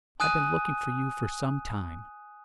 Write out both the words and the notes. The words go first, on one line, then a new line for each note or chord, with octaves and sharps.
I've been looking for you for some time.
G#5 D#6 F#6 D#7